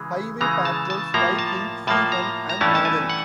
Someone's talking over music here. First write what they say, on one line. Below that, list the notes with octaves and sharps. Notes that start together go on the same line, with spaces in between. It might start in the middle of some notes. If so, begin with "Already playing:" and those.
"Highway Patrol", "Sky King", "Sea Hunt", and "Maverick".
Already playing: C#3 E3 G#3
C#3 E3 G#3 A#5
A5
A5
A2 F3 A#3 A#5
A5
A2 F3 A#3 A5
A#5
A#5
G2 E3 A3 C#4 E4 A5
A5
G#5
F#5